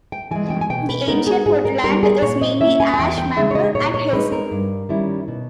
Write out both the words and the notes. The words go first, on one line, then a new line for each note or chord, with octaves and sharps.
This ancient woodland is mainly ash, maple and hazel.
G5
E3 G#3 G#5
G5
G#5
B2 G5
B4
G#3 B3 D#4 A#4
G#4
G#2 G#4
A#4
G3 B3 A#4
G#4
A#2 C#5
D#5
A#3 C#4 E4 E5
G#5
G#5
E2 G5
G5
C#3 G#3 D#4 E5
C#5
D#5
A#2 C#5
C#5
G#3 D#4 B4
A#4
G2
D#3 G3 C#4 E4
B2